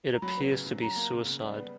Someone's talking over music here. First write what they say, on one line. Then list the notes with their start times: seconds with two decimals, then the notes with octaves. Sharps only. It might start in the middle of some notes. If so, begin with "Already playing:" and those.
It appears to be suicide.
0.14 A#5
0.22 F#3 B5
0.37 B3
0.52 C#3
0.66 C#3
0.82 F#3 A#5
0.96 A#3
1.11 C#3
1.26 C#3
1.41 G3
1.56 B3